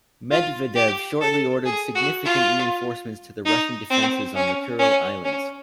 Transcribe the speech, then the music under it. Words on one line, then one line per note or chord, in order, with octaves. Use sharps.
Medvedev shortly ordered significant reinforcements to the Russian defences on the Kuril Islands.
F4
G4
A4
G#4
F#4
F4
D#4
C4
C#4
C#4
C#4